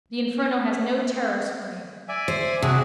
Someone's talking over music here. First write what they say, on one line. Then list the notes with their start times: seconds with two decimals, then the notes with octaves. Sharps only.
The inferno has no terrors for me.
2.09 D5 E5 G#5
2.28 C5
2.62 C3 D4 F#4 G#4